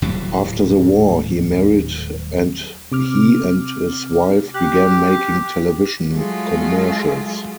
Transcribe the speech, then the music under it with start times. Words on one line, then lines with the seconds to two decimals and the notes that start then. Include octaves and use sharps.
After the war, he married and he and his wife began making television commercials.
0.02 D#1 A2 F#3 G3
2.92 C3 D6 F6
4.54 G4 F#6
6.12 F#3 G#3 A3 F4